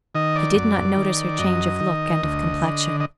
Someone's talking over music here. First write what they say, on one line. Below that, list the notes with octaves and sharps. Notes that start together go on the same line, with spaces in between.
He did not notice her change of look and of complexion.
D#3 D#5
D5
F#2
D#3
F#2 D#5
D#3
D2
D3
D#5